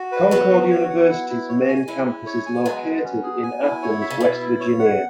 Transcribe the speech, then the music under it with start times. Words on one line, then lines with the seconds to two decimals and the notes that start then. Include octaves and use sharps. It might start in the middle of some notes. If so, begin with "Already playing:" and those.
Concord University's main campus is located in Athens, West Virginia.
Already playing: F#4
0.12 B4
0.31 F#3 B3 F#4
0.52 F#4
0.70 C#5
0.90 F#5
1.09 E4
1.29 E4
1.49 C#5
1.68 G#5
1.87 G#3 C#4 E4
2.07 E4
2.26 C#5
2.46 G#5
2.65 F#3 G#3 B3
2.85 G#3
3.04 C#4
3.23 G#4
3.43 G#5
3.62 E4
3.82 C#5
4.01 E5
4.10 C#3
4.20 B2 E4
4.41 E4
4.60 C#5
4.79 F#5